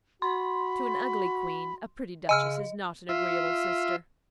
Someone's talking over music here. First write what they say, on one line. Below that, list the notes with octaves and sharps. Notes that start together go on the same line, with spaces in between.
To an ugly queen, a pretty duchess is not an agreeable sister.
F#4 B5 C6
C#3 D#5 G#5 E6 F6
F4 E5